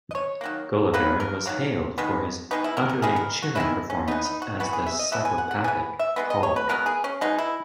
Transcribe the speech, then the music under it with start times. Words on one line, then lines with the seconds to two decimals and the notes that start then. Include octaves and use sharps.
Gulager was hailed for his utterly chilling performance as the psychopathic Coll.
0.11 D#5
0.15 C#5
0.41 D#3 F#3 A#3
0.94 D#3 F#3 A#3 B4
1.20 A#4
1.46 D#3 F#3 A#3
1.98 D#3 G#3 B3
2.51 D#3 G#3 B3 D#4
2.64 E4
2.77 A#4
2.89 A#4
3.02 D#3 G#3 B3 G#4
3.16 A#4
3.42 F#4
3.55 D#3 G#3 B3 E4
3.90 C#4
4.08 E3 B3 D#4
4.25 D#4
4.42 F#4
4.60 E3 B3 F#4
4.73 G#4
4.86 E5
4.99 D#5
5.12 E3 B3 E5
5.25 G#5
5.38 F#5
5.51 F#5
5.64 E3 B3 G#5
5.99 E5
6.16 B2 G#3 B3
6.30 D#5
6.43 C#5
6.56 B4
6.69 B2 G#3 B3 A#4
6.86 G#4
7.04 C#4
7.21 B2 G#3 B3 D#4
7.39 E4